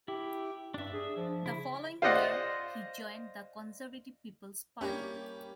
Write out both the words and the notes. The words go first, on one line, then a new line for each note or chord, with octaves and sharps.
The following year, he joined the Conservative People's Party.
E4 G4
G2 D4 E5
G#4
F3
C#3 E4
F4 C5 D5 D#5 F#5
G3 A#3 C#4 E4 G4